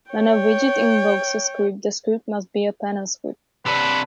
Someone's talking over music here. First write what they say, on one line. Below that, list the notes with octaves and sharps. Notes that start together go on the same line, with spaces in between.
When a widget invokes a script, the script must be a panel script.
C#5 G5
C3 D4 B4